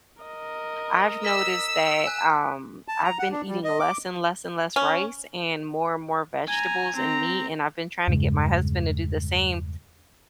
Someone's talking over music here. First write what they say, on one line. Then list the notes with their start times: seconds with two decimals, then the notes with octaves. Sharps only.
I've noticed that, um, I've been eating less and less and less rice and more and more vegetables and meat, and I've been trying to get my husband to do the same,
0.23 A#4 D#5
1.25 E6 B6
2.07 G#5 F#6
2.88 A5
3.04 A#5
3.19 F#5
3.32 D4
3.48 G3
3.64 D#5
3.79 D6
4.76 C#4
6.48 G#5 A#5
6.95 C4 A#5
8.07 E2 G2 C#3 G#3